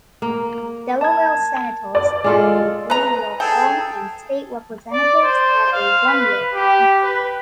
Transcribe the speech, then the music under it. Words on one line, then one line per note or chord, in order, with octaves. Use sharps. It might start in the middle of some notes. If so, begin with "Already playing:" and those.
Delaware Senators had a three-year term and State Representatives had a one-year term.
A#3
A5 G#6
D5 D6
G#3 F4 A4
B4 A#5
G#4 A4 G5
D5
C5
F5
B4
G4
B4